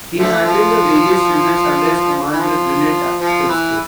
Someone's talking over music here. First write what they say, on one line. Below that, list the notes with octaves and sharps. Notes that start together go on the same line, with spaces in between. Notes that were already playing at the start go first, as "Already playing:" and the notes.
He handled the various units under his command with brilliant tactical skill.
D3 F3 A3
F3
E3
F3
F3
E3